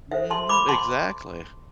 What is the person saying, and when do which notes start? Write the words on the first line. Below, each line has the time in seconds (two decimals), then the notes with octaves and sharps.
Mhm, exactly.
0.11 D4 A4 C5 E5
0.30 A5 C6
0.49 B5 D6
0.69 A5 C6